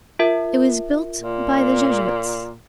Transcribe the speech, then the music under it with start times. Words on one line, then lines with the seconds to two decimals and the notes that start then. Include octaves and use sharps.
It was built by the Jesuits.
0.19 F4 A#4 E5
1.21 A#2